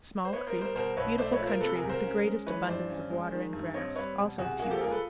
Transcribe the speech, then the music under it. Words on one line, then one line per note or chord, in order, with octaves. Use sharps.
Small Creek.--Beautiful country, with the greatest abundance of water and grass; also fuel.
C5
B3 B4 C#5
A#4 C5
G3
A#4 C5
B2 A#4 C5
B1 B4 C#5
A3 C5 D5
B4 C#5
F3
A#4 C5
C3 A4 B4
G#4 A#4
C2
A#4 C5
C#4
G#3
E3 B4 C#5
G2 C5 D5
C#4
G#3
D#3
G2
C4 C#5 D#5
G3 B4 C#5
B2
C2 F#4 G#4
A#3 F#4 G#4
G4 A4
F3 G#4 A#4
A4 B4